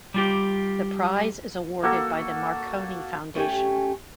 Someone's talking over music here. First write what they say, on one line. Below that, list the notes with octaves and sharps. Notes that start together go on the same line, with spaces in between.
The prize is awarded by the Marconi Foundation.
G3 F4 G4
A#3 F#4 A4
A3 C#4 G4 G#5